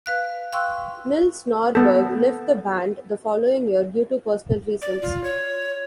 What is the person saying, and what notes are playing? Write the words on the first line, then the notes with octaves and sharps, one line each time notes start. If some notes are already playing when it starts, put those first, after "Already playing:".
Nils Norberg left the band the following year due to personal reasons.
B4 F5 F#6
F5 G5 C6 C#6 E6 F#6
B3 A4
D5
F4
C#5